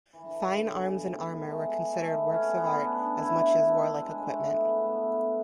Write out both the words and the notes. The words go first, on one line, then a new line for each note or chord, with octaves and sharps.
Fine arms and armour were considered works of art as much as warlike equipment.
E3
D3
C#3
B2
A2
B3
A3
G#3
A3
B3
C#4
B3
C#4
D4
E4
D4
G#3
A3
B3
B3
A3